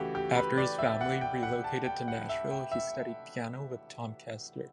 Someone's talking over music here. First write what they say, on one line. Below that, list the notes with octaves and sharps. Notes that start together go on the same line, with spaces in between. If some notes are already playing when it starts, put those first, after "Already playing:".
After his family relocated to Nashville he studied piano with Tom Koester.
Already playing: C#3 E3 A3 E4 F#4 G4
G4
B4
D5
E5
F#5
G5
F#5
A5
G5
F#5
E5
G5
E5